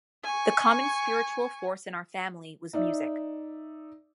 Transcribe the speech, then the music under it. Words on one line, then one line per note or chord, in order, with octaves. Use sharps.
The common spiritual force in our family was music.
G#5 C#6
D#4 D5 E5